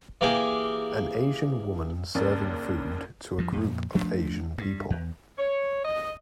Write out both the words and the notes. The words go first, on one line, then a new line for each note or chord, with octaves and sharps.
An Asian woman serving food to a group of Asian people.
E3 A#3 G4 G#4
D#2 C#3 A#3 D5 A5 A6
G2 F3
F2 A#2
F3 A3 D4
G2
E2
C#5
D#5